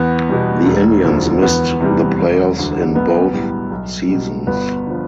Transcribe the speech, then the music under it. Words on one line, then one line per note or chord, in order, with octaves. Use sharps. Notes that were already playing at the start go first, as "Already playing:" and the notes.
The Indians missed the playoffs in both seasons.
Already playing: E2 B3
B2 G3
E1
D2 D3 F3
E2 B3
C3 E3 G3
E1
D2 D3
B1 B3
A2 G3
B1
B2 G3
G1 B3
D3 F3